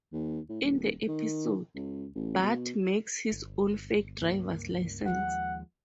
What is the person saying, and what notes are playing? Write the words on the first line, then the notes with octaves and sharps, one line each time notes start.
In the episode, Bart makes his own fake driver's license.
D#2
A2
D#1
D#3
C#2
A1
B2
G1
C#2 G2 A#3
D#2 F3 G#3 F#5